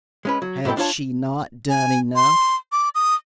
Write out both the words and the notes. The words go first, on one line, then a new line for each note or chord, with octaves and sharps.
Had she not done enough?
G#3 C#4 B4
F#3
G#2 F#3 E4 A4 G5
D4 F4 C#5 A5
G#5
C6
D6
D#6